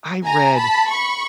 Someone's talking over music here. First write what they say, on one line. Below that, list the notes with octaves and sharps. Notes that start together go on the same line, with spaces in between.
I read
G#5 A#5
A5 B5
B5 C#6